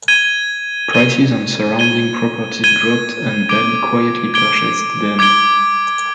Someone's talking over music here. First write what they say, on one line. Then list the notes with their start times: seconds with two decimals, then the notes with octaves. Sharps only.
Prices on surrounding properties dropped and Daly quietly purchased them.
0.08 G#6 D#7 G7
0.93 G#6 D#7 G7
1.79 G#6 D#7 G7
2.64 G#6 D#7 G7
3.49 D6 G#6 D7 G7
4.34 D6 G#6 D7 G7
5.19 D6 G#6 D7 G7